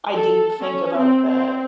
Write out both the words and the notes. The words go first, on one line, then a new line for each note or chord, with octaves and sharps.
I didn't think about that.
A4
C#4
C4
C4